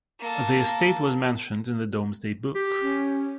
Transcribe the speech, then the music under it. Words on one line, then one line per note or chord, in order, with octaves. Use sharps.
The estate was mentioned in the Domesday book.
A#3 A4
G4
C#4